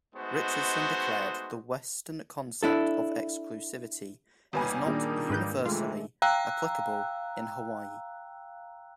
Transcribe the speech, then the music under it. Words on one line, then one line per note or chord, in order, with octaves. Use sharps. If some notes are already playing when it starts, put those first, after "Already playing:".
Richardson declared, The western concept of exclusivity is not universally applicable in Hawaii.
G#3 A3 B3 D#4 F#4 C5
D4 E4 A4
G1 G3 A#3 D#4 B4 G#5
A#2 D#3 D4 G#4
G#2 B4 G6
C3 E3 G#3 A3 F4
F5 G5 A#5 E6 F#6